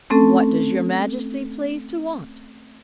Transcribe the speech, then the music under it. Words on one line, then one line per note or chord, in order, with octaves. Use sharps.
'What does Your Majesty please to want?
A3 C4 C#4 A4 A5